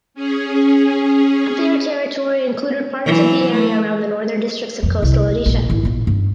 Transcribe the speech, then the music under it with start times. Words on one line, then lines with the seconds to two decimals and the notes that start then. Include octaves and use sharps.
Their territory included parts of the area around the northern districts of coastal Odisha.
0.14 C#4 G#4
3.05 E3 F#3
3.51 A3
4.83 F2 A#2
5.02 C2
5.46 A#1 A#2
5.70 A1 F3
5.83 A#2 B3
6.07 G2 C#4